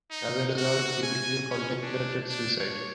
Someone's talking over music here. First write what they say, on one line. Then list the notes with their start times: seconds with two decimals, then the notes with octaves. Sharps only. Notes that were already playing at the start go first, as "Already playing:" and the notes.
As a result, he briefly contemplated suicide.
0.11 D#4
0.57 F#4
1.03 G#5
1.50 C#4
1.83 D4
2.29 D4
2.59 C#5